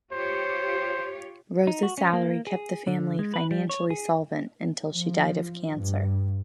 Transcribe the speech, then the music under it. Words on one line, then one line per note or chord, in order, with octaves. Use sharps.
Rose's salary kept the family financially solvent until she died of cancer.
F4 G4 C5 C#5
D#4
F#4
C#4
A#3
G#4
D3
G#3
B4
G3
C#5
G#4
F3
G2